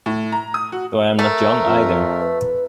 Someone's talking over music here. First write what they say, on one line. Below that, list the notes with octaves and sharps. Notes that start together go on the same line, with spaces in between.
Though I am not young, either.
A2
A#5
D#6
F#4
A3 A#4
F2 F4
B4